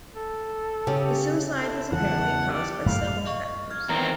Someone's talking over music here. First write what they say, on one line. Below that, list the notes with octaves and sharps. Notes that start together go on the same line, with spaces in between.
The suicide was apparently caused by several factors.
A4
C#3 C#4 G4
E4 A4
E2 C#3 E3 F#5 A5
G4 D5
F#2 A2 A3 F5
D#5 F5 C#6
F6 G#6
E2 D#3 C4 A#5